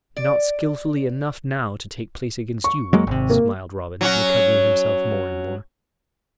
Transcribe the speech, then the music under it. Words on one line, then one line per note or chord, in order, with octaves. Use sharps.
"Not skilfully enough now to take place against you, Will," smiled Robin, recovering himself more and more.
D5
C#6
F#3 G#3 A#3
G#1 C3
A#3
F#3 C#4 F#4